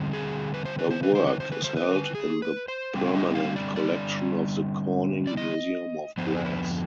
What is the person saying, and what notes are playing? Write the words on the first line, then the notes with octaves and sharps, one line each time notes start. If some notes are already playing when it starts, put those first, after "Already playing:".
Her work is held in the permanent collection of the Corning Museum of Glass.
Already playing: D3 G3 C4
G#4
B4
C5
B4
C5
B4
C5
B4
C5
B4
C5
B4
G#4
B4
C5
D3 G3 C4
F5
D#5
F5
D5
D5
D5
D#5
F2 D3 F3 B3 C5
G#4
B4